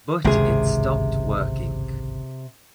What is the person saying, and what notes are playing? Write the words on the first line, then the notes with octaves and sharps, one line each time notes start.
But It stopped working.
G#1 C#2 G2 C3 G#4